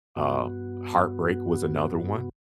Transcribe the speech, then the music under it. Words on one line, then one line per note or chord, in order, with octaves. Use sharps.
um, heartbreak was another one,
G2 B3 F#4